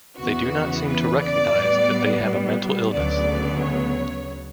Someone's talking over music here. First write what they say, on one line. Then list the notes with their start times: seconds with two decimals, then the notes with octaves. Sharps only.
They do not seem to recognize that they have a mental illness.
0.18 E2 C#3 E3 B3 F#4
0.88 B4
1.22 D5
1.56 A2 G3 B3
2.93 D2 C#3 F#3 B3 D5
3.62 C#5